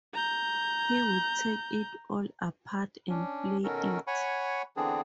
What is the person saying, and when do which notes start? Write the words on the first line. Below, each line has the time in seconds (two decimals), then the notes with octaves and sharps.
He would take it all apart and play it.
0.13 A#5 G6
3.10 C#4 D4
3.64 B2 D#3 C#4 F#4 A4 A#4
4.07 C#5 F#5 G#5 B5 C#6
4.77 D3 E3 B3 C4 D4 G#4